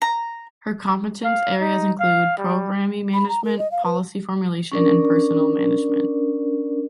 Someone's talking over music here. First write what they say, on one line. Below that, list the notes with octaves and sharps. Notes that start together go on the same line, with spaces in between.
Her Competence areas include Programme management, Policy formulation and personnel management.
A#5
F5
D#4
F5
G3
B5
A#5
A#4
D#5
F5
B4
C#4 D4 A#4 D5